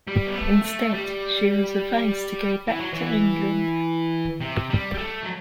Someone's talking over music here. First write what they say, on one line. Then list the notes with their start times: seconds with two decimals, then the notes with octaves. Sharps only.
Instead, she was advised to go back to England.
0.07 G3
0.27 B3
0.37 A3
0.65 A3
0.94 G3
2.68 E3
2.80 F#3
2.93 E3
4.41 C3
4.70 G3
4.94 G3
4.98 A3
5.23 F#3